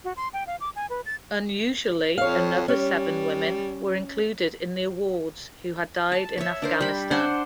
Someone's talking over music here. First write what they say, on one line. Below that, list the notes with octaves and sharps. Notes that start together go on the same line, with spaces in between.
Unusually another seven women were included in the awards who had died in Afghanistan.
F#4
C6
G5
F5
D6
G#5
B4
A6
F2 C#5 F5
G3 C#4
A5
C#5 E5
D4 A#4 C5
G3 B5
D4 C5 F#5 C6